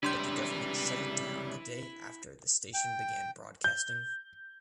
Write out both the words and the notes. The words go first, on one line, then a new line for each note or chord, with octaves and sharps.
But the government shut it down the day after the station began broadcasting.
C#2 C3 G3 D4 E4 B4 C6 G6
G5
G6